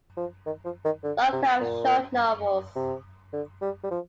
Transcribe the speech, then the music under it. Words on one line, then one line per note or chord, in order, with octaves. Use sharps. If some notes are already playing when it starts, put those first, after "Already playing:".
Lovecraft's short novels.
F3
D#3
F3
D#3
D3
C3
A#2
C3
D3
G3
G3
F3